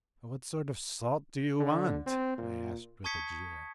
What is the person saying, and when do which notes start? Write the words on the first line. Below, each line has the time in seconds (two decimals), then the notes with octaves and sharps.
"What sort of salt do you want?" I asked with a jeer.
1.60 D3
2.06 C4
2.38 A#2
3.04 A5 C#6 D#6 G#6 B6 C#7